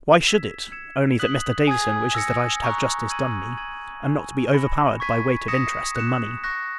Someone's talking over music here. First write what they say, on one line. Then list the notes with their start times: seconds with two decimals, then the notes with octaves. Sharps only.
Why should it? only that Mr. Davison wishes that I should have justice done me, and not to be overpowered by weight of interest and money.
0.25 E6 G#6 B6 E7
0.72 E6 G#6 C#7 E7
1.19 D#6 F#6 B6 F#7
1.67 G#5 D#6 G#6
2.15 E6 A#6 C#7
2.63 A#5 C#6 F#6
3.10 E6 G#6 D#7 F#7
3.57 C#6 G#6 D#7 F#7
4.06 G#5 C#6 E6
4.53 B5 F#6 A#6 C#7 E7
5.00 C#6 G#6 B6 D#7
5.48 D#6 A#6 C#7 E7
5.96 F#6 C#7 E7
6.44 C#6 F#6 A#6